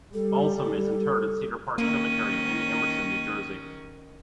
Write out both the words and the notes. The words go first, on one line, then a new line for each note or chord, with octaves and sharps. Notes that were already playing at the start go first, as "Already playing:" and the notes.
Balsam is interred at Cedar Park Cemetery, in Emerson, New Jersey.
G3 A4
D#3 A#3 C#4 D#7